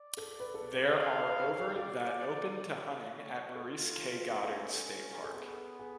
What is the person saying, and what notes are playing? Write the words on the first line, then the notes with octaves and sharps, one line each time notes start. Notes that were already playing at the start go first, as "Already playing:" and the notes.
There are over that open to hunting at Maurice K. Goddard State Park.
Already playing: D5
A4
B4
A4
G#4 F5
B4
A4
G#4
F#4 D5
C#5
F4 A4
B4
C#4 A4
A4
B3 G#4
G#4